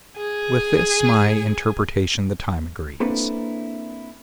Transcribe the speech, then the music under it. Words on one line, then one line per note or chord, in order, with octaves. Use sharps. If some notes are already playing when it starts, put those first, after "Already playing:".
With this my interpretation the time agrees.
G#4 G#5
A#3 C4 D4 E4 A4 B4